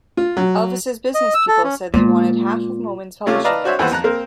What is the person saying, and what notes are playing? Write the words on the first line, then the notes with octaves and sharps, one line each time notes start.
Elvis's business people said they wanted half of Moman's publishing rights.
F4
F#3
D#5
E6
A4
C#4
A#2 G#3 B3
C3 A3 C#4 F4 D6
B4 D5 D#5 F5 A5 A#5
D4 F#4 C5 C#5 E5
D#2 E3 B3 B4 C5 F#5
F2 A#5 F#6
A#3 C4 A#4 C5